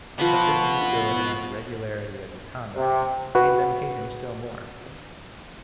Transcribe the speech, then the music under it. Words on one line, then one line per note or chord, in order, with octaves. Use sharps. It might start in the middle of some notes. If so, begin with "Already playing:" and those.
But this mutability and irregularity of his conduct made them hate him still more.
F3 B3 F#4 B4 B5
C3
F#4 B4